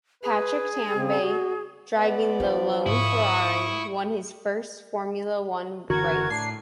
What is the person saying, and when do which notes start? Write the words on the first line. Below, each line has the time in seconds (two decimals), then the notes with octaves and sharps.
Patrick Tambay, driving the lone Ferrari, won his first Formula One race.
0.23 G#4 B4
0.95 C#3 C4
1.20 F#4
1.96 B3 D5
2.40 F3 D4
2.86 G#2 E4 C#6 D#6
5.90 F#1 D3 E3 F#4 A#4 G#6
6.30 A2 D4 C7